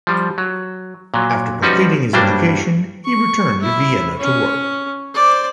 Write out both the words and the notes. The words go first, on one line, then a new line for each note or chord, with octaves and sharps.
After completing his education, he returned to Vienna to work.
F3 G3
F#3
A#2 F#3
F3 G3 C#4 D#4 F#4 B4
G2 F#3 G3 A#3 D4 C5
C#6
E4
C#4 C#5
C5 D5